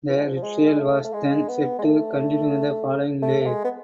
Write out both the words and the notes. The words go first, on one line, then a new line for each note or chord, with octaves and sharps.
The retrial was then set to continue the following day.
E3
G#3
F3
F3
G#3
A3
A3
G#3
B3
G#3
A3
A3
A3
G#3
B3